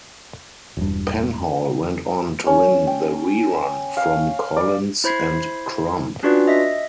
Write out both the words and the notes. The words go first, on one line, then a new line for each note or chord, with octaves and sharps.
Penhall went on to win the re-run from Collins and Crump.
E1 G2
C#4
G5
F5
D5
E4 C5 B5 G#6 C7
C#4 D4 F4 F#4 B4 D5
D#5 E5 A#6 B6